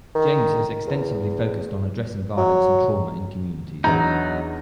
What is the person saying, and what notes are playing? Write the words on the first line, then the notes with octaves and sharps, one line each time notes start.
James has extensively focused on addressing violence and trauma in communities.
D#3
E2
F#3
E2 F#3 B3 D4 D#4 A#5